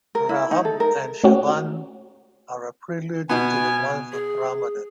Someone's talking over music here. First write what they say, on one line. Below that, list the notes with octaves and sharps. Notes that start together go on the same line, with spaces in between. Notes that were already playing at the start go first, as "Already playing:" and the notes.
Rajab and Sha'ban are a prelude to the month of Ramadan.
A#4
E4
D#4
A4
A#4
A3 C#4 F#4
B2 B3 G#5
G#4